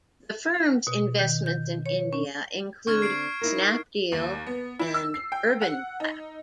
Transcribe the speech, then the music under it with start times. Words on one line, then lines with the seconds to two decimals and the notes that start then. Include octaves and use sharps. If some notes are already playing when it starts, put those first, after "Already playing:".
The firm's investments in India include Snapdeal and UrbanClap.
0.87 B2
1.19 D#3
1.46 G6
1.86 C#5
2.13 C#4
2.87 D3 C4 C#6 F6 G#6
3.02 C7 D7
3.41 D#4 E4 A#4
4.12 D#2
4.46 B3
4.79 E4
4.94 E6
5.14 C7
5.32 G5
5.62 F#5
6.00 D#4